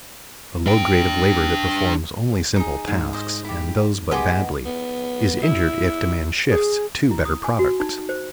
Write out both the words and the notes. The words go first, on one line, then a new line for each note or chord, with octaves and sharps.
A low grade of labor that performs only simple tasks, and those but badly, is injured if demand shifts to better products.
D4 G5
D#4 G#4
G#2
C5 D#5
E4 G4
B3 G4 G#4 D#5 C6
B3
E4
G#4
E4
D#6
G#5
F#4
D#4
C5